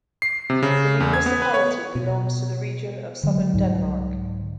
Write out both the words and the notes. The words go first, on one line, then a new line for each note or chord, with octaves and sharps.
The municipality belongs to the Region of Southern Denmark.
C7
C3
C#3
E2
G#6
B3
B4
C#5
B2
D3 F#3 G#3
C2 G#2